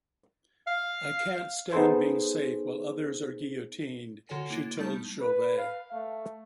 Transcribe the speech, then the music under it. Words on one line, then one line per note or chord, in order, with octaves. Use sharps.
"I can't stand being safe while others are guillotined", she told Jouvet.
F5
B3 D#4 G#4 A4 C5
D3 F#4 A4 C#5 G#5
A#3 E4 A6 D7
G3 A3 B3 D#4 A5 G6
B4
F5
A3